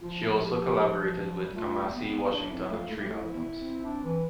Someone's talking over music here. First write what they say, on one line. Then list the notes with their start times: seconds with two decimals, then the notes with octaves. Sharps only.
She also collaborated with Kamasi Washington on three albums.
0.01 F3 F4
0.20 E4
0.39 F3 G4
0.58 G4
1.43 G3
1.54 A3 F4
1.92 B3
2.00 C4
2.08 B3
2.31 D4 E4
2.50 C4 E4
2.69 A3 F4
2.89 A3 E4
2.98 G3
3.08 A3 E4
3.33 B3
3.59 C4
3.85 D4
4.04 E3